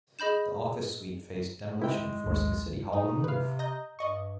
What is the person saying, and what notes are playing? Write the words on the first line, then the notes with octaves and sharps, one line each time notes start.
The office suite faced demolition, forcing city hall to move.
G#4 D#5 B5 G6 E7
G#3 D#4 E4 G5
A#1 D#2 G#2
D#4 D#5
C3 B4 F5
D#5 A#5 G6
G2 D5 D#5 C#6